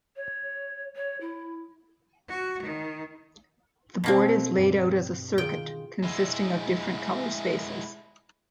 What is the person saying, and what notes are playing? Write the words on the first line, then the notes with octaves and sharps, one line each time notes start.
The board is laid out as a circuit, consisting of different color spaces.
C#5
C#5
E4
F#4
D#3
B2 A#3 C4
G2 G3
D#3 F4 G#4 G5
G#3 E4